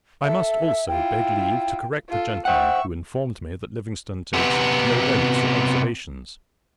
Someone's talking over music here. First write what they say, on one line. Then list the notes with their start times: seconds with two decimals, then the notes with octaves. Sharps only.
I must also beg leave to correct the gentleman who informed me that Livingstone takes no notes or observations.
0.23 A4 E5
0.88 E4 F4 G5
2.09 F4 A4
2.45 C5 E5 F#5 G5 C#6
4.34 C3 B3